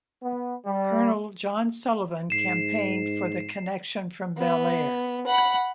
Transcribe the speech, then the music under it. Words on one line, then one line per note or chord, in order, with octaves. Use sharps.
Colonel John Sullivan campaigned for the connection from Bellaire.
B3
G3
G#2 C7 E7
B3
F#5 B5